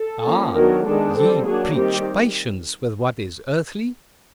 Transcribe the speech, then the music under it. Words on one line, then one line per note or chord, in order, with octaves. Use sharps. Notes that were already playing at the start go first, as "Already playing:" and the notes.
Ah! ye preach patience with what is earthly?
Already playing: A4
F3 A#3 C#4
D#3 F#3 B3 D4 A#4
D#3 G#3 B3 D4 A4
C4 A4
G3
F#3 A#3 D4 G#4
D#3 G3 C4 G4